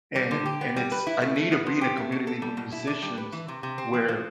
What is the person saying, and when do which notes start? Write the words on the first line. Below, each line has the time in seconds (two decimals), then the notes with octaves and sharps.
and and it's I need to be in a community with musicians where
0.16 G3
0.31 D3
0.46 G4
0.61 B3
0.76 G3
0.92 B4
1.07 E4
1.21 A3
1.36 A3
1.52 B3
1.66 F3
1.81 G4
1.97 A3
2.12 B2
2.27 A4
2.42 G3
2.57 B2
2.72 E4
2.87 D4
3.02 G3
3.18 B4
3.33 E3
3.48 C3
3.63 C3
3.78 C4
3.93 F3
4.08 F3